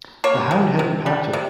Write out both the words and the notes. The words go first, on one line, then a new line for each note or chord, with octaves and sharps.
The hound hadn't packed it.
A#3 C#5
C3
C3
G3
C3